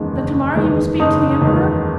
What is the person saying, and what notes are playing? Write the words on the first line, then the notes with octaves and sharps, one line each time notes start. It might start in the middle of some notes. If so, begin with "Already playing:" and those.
"Then tomorrow you will speak to the Emperor?"
Already playing: F#1 E2 D#3 G#3
F#1
E2 D#3 G#3
F#1 D#4
E2 D#3 G#3